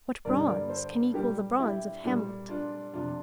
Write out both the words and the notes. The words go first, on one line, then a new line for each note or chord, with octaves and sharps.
What bronze can equal the bronze of "Hamlet"?
G2 D3 G3 A#4 D5
A#4 D5
A4 C5
A#2 G3 G4 A#4
E4 G4
A#2 G3
D4 F4
F2 C3 F3 D4 F4